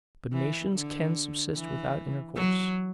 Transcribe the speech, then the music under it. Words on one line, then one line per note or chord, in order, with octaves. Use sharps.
But nations can subsist without intercourse.
E3
D3
E3
F#3